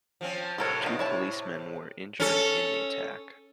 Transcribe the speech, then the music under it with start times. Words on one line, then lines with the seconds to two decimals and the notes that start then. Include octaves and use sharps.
Two policemen were injured in the attack.
0.21 F3 C4 C#4
0.58 A2 C3 A4 A#4 C#5
0.83 D#3 A#3 B3
0.99 E4 C#5 A5
2.20 C#4 A4